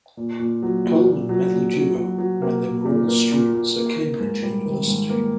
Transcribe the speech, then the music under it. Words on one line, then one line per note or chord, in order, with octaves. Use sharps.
Colman met the duo when they were all students at Cambridge University.
A#2
A#2
F#3
A#2
A#2
F#3
A#2
F#3
F#3
F#3
A#3
A#3
A#2
A#3
A#2
A#2
A#3
A#3
G#2
G3
D#3
G#2
A#3